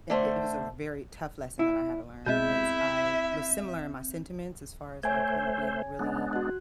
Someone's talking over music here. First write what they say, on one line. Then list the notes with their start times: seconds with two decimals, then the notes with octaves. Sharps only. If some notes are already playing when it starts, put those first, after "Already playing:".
i it was a very tough lesson that I had to learn because I was similar in my sentiments as far as, like, kinda being really,
0.10 D3 A3 C5
1.59 E4
2.26 B2 G#3 C4 E4 E5 G6
5.03 A3 C5 C#5 G#5 G#6
5.99 G#3 B3 D4
6.33 F#4 F#6